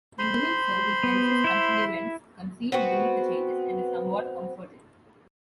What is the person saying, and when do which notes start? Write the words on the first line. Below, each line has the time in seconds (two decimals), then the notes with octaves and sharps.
In doing so, he senses continuance concealed beneath the changes, and is somewhat comforted.
0.19 C5 B5 C6
1.04 B3
1.44 E4 E5
2.72 B3 C4 F#4